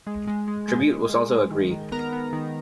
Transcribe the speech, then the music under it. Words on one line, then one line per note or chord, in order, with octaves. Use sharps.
Tribute was also agreed.
G#3
G#3
G#3
G#3
G#3
G#3
G#3
D#3
D#3
B3 A#4 A#5
B3
D#3